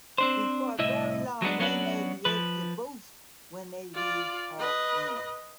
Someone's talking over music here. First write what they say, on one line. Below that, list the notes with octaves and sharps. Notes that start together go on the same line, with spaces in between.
Before very long they may be able to boast that they read her when.
C4 D4 C5
C2 A2 E4 D#5 E5
F#3 G#3 B3 D4
F#3 B3 C#4 D4 F#4 B4
F3 B4
F4 D5
B4 D#5